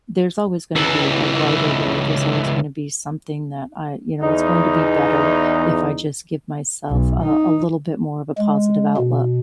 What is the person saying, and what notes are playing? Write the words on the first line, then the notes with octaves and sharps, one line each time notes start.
there's always gonna be a brighter day, there's always gonna be something that I you know, it's going to be better if I just give myself, uh, a little bit more of a positive outlook.
C#2 E3
E2 D#4
B1
D#4
G#3
B2